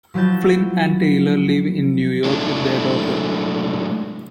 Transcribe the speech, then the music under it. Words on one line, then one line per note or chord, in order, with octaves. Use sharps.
Flynn and Taylor live in New York with their daughter.
F3 F#3 E4 G6 A6
F#3 G#3 A3 D4 E4